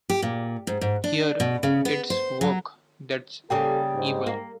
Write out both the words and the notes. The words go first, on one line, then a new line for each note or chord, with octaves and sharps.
Here, it's "work" that's evil.
G4
A#2
G#2
G#2
D4
B2
C#3
B3
C5
F#3
C#3 G3 A#3 G4 A4 G5
G#2
A#3